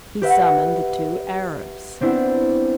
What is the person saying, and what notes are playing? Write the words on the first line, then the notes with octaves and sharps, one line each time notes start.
He summoned the two Arabs.
G4 B4 E5 F#5
B3 C4 D4 E4